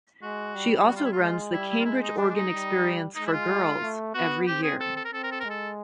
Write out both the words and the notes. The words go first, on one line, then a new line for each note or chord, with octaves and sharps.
She also runs the Cambridge Organ Experience for Girls every year.
G#3 F#4
G3
F#4
F4
E4
F4
G#3
G3 E4
E4
F4
G#3 E4
D#4
D4
D4
D#4
G3
G#3 D#4
E4
F4
A3
B3 F#4
C4 G4
G#4
A4
A4
A#4
C4 A4
A#4
A4
A#4
G#3
A4